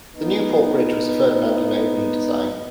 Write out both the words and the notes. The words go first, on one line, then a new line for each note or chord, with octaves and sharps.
The Newport bridge was a Ferdinand Arnodin design.
B3 D#4